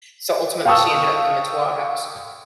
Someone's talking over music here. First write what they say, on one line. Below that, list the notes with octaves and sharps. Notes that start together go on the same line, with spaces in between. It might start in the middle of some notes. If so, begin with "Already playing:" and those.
so, ultimately, she ended up coming to our house,
F5 G5 A5 C#6 D#6 E6